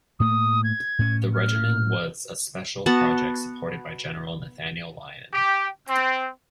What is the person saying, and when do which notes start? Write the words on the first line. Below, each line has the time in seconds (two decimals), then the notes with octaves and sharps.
The regiment was a special project supported by General Nathaniel Lyon.
0.20 A2 A3 A#3 D#6
0.64 G#6
0.99 A2 C#4
1.34 F6
2.86 B3 F#4 F#5 A5
5.33 G4
5.88 C4